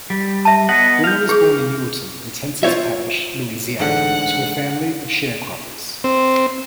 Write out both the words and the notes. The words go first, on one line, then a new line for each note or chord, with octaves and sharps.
Brimmer was born in Newellton in Tensas Parish, Louisiana, to a family of sharecroppers.
G3
E5 A5
B3 D#5 F#5
F5 G6
G4 G#4
F4 C5 C#5 E5
A1 G#2 D3 F#5
C4